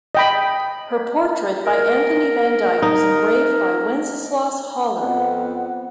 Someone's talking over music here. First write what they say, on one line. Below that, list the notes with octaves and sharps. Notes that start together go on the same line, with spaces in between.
Her portrait by Anthony van Dyck was engraved by Wenceslaus Hollar.
D#5 G5 B5
A#4
D#4
F2 B3 F#5